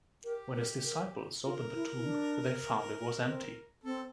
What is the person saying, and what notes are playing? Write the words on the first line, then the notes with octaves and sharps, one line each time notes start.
When his disciples opened the tomb, they found it was empty.
G4 A#4
A#4
A#4
F4 A#4
E4
E4
D4
C4
C4 A4